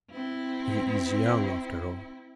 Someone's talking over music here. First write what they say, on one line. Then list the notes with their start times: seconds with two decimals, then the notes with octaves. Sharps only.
He is young after all.
0.11 C4 E4